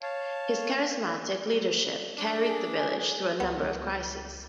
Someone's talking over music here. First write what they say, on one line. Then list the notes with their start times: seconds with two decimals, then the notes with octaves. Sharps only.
His charismatic leadership carried the village through a number of crises.
0.02 C#5 F5 A5
2.18 D4
2.44 G#4
3.40 C#2 B3